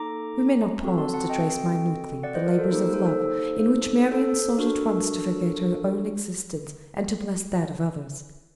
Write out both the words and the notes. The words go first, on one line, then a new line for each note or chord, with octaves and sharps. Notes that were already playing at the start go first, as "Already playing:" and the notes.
We may not pause to trace minutely the labors of love in which Marian sought at once to forget her own existence and to bless that of others.
Already playing: A#3 D#4 A4 A#5 D6
C4 F#4 A4
A5 C6
F#5 A5
D#5 G5
D5 F#5
C5 D#5
A#4
A4 C5
A#3 D#4 G4 A4 C5
A#4
A4 C5
A4 C5
A4 C5
D4 F#4 A4 A#4